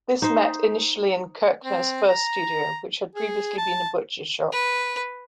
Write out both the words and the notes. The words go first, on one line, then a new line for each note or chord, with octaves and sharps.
This met initially in Kirchner's first studio, which had previously been a butcher's shop.
D#4 C5
C4
A#5
G#4
A5
B4